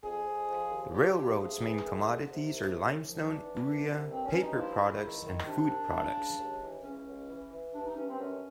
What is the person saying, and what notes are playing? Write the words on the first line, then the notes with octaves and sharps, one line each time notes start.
The railroad's main commodities are limestone, urea, paper products, and food products.
F2 G#4
F2
F3
D#2
A#2 G4
F3 G4
D2 G#4
E3
F#2
D3
C3
C2
F#2
F3
E2 D4
E2
C2
C2
G2 C4
C#4
G2
D#4
F3 E4
C#2
D#3
D#3
C3 D4
C2
C#3
C#2
D#2
E3
C#2 C#4
C#2
E3
E3
G2 D4
D#4
G2 C#4
C4
F#2 C#4